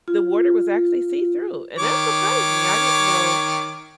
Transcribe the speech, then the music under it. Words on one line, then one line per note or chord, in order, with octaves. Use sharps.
the water was actually see-through, and that surprised me. I didn't know
F4
D#3 C#5 D6